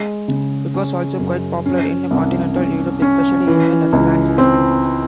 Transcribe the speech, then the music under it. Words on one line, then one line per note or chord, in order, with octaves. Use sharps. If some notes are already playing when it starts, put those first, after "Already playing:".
It was also quite popular in continental Europe, especially in the Netherlands and Spain.
Already playing: G#3
C#3
C#4
F#2
C#4
C2
C#4
C#4
E3
C#2
C4